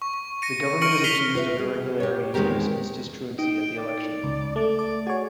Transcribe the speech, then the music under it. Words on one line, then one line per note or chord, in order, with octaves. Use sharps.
The government is accused of irregularities in this constituency at the election.
C#6
C#6
A#6 C#7 D#7
C#6 F6 A#6 C#7 D7 F#7
F6 B6 C7 D#7 F7 G7
F4 B4 C5 E5
G3 G#4
G4 C#5
E2 D#3 G#3 C4 G4 A#4
D#4 G5
D5
C#2
A3 A4 D5
D6
F#4 G#4 C#5